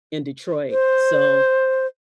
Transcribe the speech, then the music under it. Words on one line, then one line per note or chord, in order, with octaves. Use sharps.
in Detroit, so,
C5